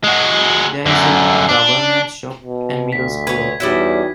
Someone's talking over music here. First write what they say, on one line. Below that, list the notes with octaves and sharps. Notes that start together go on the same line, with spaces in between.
There is a government shop and middle school.
G#3 F#4
F#2 D3
D4
B2
D2 B6
B4 C#5 G#6
E2 G3 C#4 D#4 E4 F#4